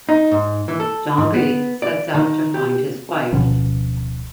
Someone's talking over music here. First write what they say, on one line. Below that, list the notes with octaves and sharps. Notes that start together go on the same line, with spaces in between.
Dombey sets out to find his wife.
D#4
G#2
E3
A4
G#2
B3
D5
D#3
G4
D1 B2 F3 C#4